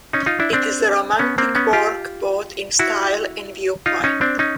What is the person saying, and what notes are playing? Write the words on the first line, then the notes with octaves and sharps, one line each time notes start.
It is a romantic work, both in style and viewpoint.
C#4 D#4
D#4 F4
D4 E4
C4 D4
B3 C#4
A#3 C4
B3 C#4
F4 G4
E4 F#4
D#4 F4
C#4 D#4
C4 D4
C#4 D#4